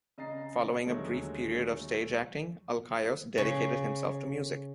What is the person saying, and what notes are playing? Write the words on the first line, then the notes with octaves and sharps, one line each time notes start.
Following a brief period of stage acting, Alkaios dedicated himself to music.
C#3 D#5 A#5 A6 C7
D#2 D3 F#3 G#3 A3
C#3